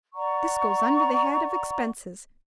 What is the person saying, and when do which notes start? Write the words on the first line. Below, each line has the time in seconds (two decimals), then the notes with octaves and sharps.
This goes under the head of expenses.
0.13 D5 F#5 A#5 C#6